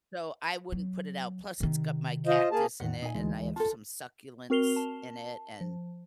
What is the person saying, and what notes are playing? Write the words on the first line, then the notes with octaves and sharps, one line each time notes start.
so, I wouldn't put it out, plus it's got my cactus in it, and I have some succulents in it and
F#3
C3 D#3
F4 C5 D#5
A#3 G#4 A5
E2 A2 D#3 F#5
A#2 D#4 G#5
D2 E3 G#3
F4 A4 A5
C4 F#4 A#4 C7 F7 G7
A5
F3